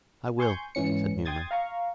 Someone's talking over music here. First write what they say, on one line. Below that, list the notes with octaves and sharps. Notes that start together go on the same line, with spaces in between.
'I will,' said Newman.
G#5 C6 C#6 G6
G#2 E3 C#4 C#7
G5 C6 D#6 G#6 A6
F5 A#5 C#6